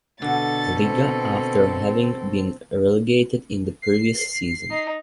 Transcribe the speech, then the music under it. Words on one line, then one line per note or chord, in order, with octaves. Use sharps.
Liga after having been relegated in the previous season.
B2 D3 A4 A6
C4
C7
D#4